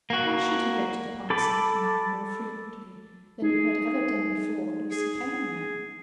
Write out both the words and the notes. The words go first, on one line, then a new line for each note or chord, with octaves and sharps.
Why should he go to the parsonage now more frequently than he had ever done before Lucy came there?
A#3 F#4
A4 B5 D6
D#4 G#4
G#4